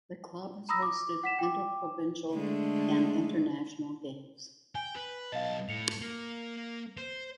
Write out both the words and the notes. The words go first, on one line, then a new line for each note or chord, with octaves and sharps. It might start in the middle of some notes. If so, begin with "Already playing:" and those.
The club has hosted interprovincial and international games.
A#5 B5 D#6 E6 A#6
D6
F#5 B6 E7
G5 D6
D3 G#3 A3
G5 G#5
B4
B1 D#5 F5 A5
A2 C#7 F7
A#3
C5